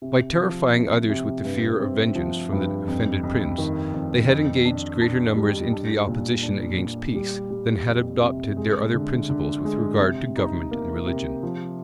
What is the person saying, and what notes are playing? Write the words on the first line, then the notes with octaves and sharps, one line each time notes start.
By terrifying others with the fear of vengeance from the offended prince, they had engaged greater numbers into the opposition against peace, than had adopted their other principles with regard to government and religion.
C3
F3
C3
C3
G2
C4
F3
G2
F2
F2
D#3
F2
F2
D4
D4
G3
D4
A#2
D4
A#2
G3
G3
F2
C3
G#3
D3
D3
G#3
C3
D#4
A#3
C3
F3